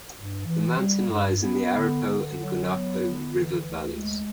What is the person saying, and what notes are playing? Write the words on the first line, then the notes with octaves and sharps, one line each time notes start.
The mountain lies in the Aripo and Guanapo river valleys.
G2
E3
G3
G2
B3
D3
D3
F#3
B3
D3
E3
D2
G#3